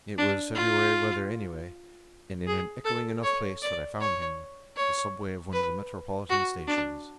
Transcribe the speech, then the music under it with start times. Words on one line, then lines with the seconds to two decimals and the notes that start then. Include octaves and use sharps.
It was February weather, anyway, and in an echoing enough place that I found him--the subway of one of the Metropolitan stations.
0.18 D4
0.55 F4
2.47 G#4
2.85 A4
3.24 C#5
3.62 D5
4.00 C#5
4.76 C#5
5.53 B4
6.29 F#4
6.67 D4